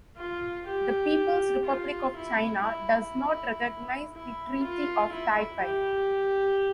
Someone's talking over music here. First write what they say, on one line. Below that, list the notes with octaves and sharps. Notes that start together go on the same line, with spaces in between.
The People's Republic of China does not recognize the Treaty of Taipei.
F4
G4
F4
E4
E4
E4
F4
E4
G4